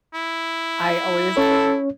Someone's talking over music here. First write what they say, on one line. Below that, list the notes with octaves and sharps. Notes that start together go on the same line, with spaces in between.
I always like
E4
C#4 A4 C#5